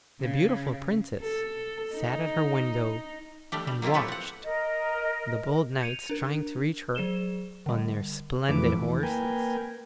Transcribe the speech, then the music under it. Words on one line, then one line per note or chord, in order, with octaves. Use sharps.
The beautiful Princess sat at her window and watched the bold knights trying to reach her on their splendid horses.
C#3
A4
D#4
G3 A3 D4 G4
G3
F#3 A#3 C4 E4 F4
G4 A4 B4 C#5
C4 F#5
A#4 D#5
G6 G#6 C#7 D#7 F7
D4 A#4 G#6
F#3 G#4 C5 E7 G7
D3 G3
F2 E3 A3 B4 D6
E3
A#3 A#4 B4 G5 G#5